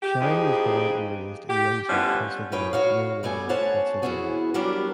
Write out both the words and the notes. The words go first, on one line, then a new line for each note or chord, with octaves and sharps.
Shine was born and raised in Youngsville, Pennsylvania, near Warren, Pennsylvania.
G4
F2 E3 F3 D#4 G4 G#4
G4
D3 F3 G3 B3 C#4 E4
F#2 A2 B4 C#5 G5
F#4 C#5 F5
G3 A3 B3 G#5
C#4 C5 C#5 F#5 A5
E3 B3 C#4 E4 F#4 G#4
F#3 G3 B3 D4 G4 A#4